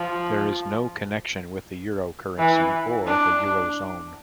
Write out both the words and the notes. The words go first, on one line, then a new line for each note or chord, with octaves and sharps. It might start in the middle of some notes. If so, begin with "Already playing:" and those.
There is no connection with the euro currency or the eurozone.
Already playing: F3
E3
D4